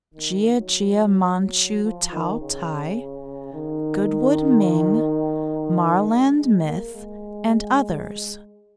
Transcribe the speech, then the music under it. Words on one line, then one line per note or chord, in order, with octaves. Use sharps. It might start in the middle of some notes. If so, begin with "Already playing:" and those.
Gia-Gia, Manchu Tao-Tai, Goodwood Ming, Marland Myth, and others.
D#3
F#3
F3
D#3
C#3
D#3
G#3
G#3
A#3
G#3